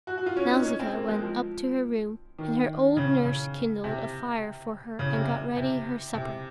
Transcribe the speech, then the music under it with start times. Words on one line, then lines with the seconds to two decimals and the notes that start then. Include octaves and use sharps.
Nausicaa went up to her room, and her old nurse kindled a fire for her and got ready her supper.
0.07 F#4
0.18 F#4
0.26 F4
0.37 C#4
0.50 D#4
0.65 C#4
0.80 C4
0.94 A#3
1.09 G#3
1.23 F3
2.39 D#3
2.97 C#3
3.25 C#3
3.84 C3
4.99 C#3
5.13 C3
5.27 C3
5.56 C3
6.14 C3